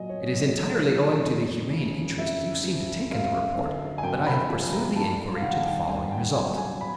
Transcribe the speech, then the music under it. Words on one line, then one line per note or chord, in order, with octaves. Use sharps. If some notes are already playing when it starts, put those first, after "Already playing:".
It is entirely owing to the humane interest you seemed to take in the report, that I have pursued the inquiry to the following result.
Already playing: A#2 F#3 D#5 G#5
C#5
F#3
A#2
F2
C#3
F2 E5
F3
F#2 F5
D3
G#5
F#2 G5
B5
F3 B5
A#5
G2 A5
F5
D#3 F#5
G5
G2 G#5
G5
F#3 G#5
G#5
B5